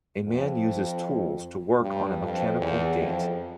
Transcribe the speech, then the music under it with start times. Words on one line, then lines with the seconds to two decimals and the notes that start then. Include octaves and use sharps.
A man uses tools to work on a mechanical gate.
0.24 F2
1.80 G2
2.19 F2
2.58 E2
2.97 F2